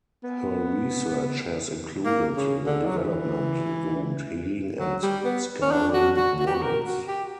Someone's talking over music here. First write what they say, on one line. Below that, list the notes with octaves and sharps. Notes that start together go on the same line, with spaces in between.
Her research has included the development wound healing and scarring models.
B3
A#3
C#3
D3
F#3
E3
F#3
G3
B3
C#4
D4
F#4
F#4
F#4
G4
F#4
A#4
F#4
G4